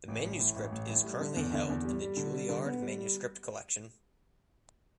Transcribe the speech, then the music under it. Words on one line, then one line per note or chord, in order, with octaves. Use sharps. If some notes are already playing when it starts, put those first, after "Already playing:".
The manuscript is currently held in the Juilliard Manuscript Collection.
A1
A1
A2
A1
A1
A2
G3
D3
E2
D3
E2
G3
G3
D3
G3
D3
B3
G3
G3